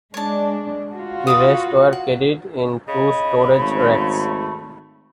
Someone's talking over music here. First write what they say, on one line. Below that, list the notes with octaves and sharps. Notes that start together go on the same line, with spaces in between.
The rest were carried in two storage racks.
G#3 D4 C#5 A5
F4 F#4
B4 F5 D#6
F#5
C#3 D#5 B5
G#1 A3